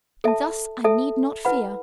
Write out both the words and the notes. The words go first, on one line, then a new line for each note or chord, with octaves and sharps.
And thus I need not fear.
A4 E5 A5
A4 E5 A5
E4 B4 F#5 B5